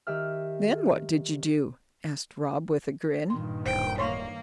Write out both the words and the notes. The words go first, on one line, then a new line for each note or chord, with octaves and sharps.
"Then what did you do?" asked Rob, with a grin.
D#3 G4 E5 F6
G2 A#2 D#3 C6
D1 C5 G5
A#3 C#5 C6 C#6